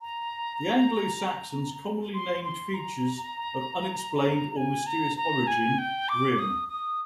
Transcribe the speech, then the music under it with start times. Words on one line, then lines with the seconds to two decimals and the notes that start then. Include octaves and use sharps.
The Anglo Saxons commonly named features of unexplained or mysterious origin "Grim".
0.01 A#5
2.14 C6
2.44 C6
2.74 A#5
4.56 G#5
4.86 A#5
5.17 A#5
5.47 G#5
5.78 G5
6.09 D6
6.39 D#6
6.68 D#6